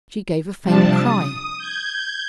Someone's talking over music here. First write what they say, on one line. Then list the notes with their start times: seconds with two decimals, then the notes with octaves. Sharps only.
She gave a faint cry.
0.63 C3 F3 G3 D4 A5
1.02 D#6
1.58 G6 G#6